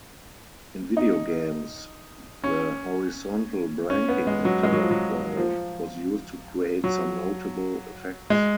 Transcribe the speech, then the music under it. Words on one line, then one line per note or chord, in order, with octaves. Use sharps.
In video games, the horizontal blanking interval was used to create some notable effects.
D#4
C#4
C#4
B3
G#3
F#3
G#3
F#3
F3
F#3
F3
F#3
G#3